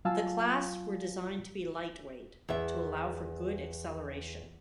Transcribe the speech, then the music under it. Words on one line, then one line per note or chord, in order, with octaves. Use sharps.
The class were designed to be lightweight to allow for good acceleration.
F#3 F4 F5 G#5 A5 E6
E2 E5